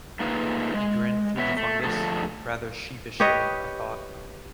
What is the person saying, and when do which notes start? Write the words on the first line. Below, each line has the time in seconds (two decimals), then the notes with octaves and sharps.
He grinned through the fungus — rather sheepishly, I thought.
0.20 A3 A#3 D#4 F4 G#4 B4
0.74 G#3
1.37 B3 C#5 E5
1.57 A3
1.83 D3 F3 A3 F4 G#4 A4
3.20 G4 B4 C#5 D#5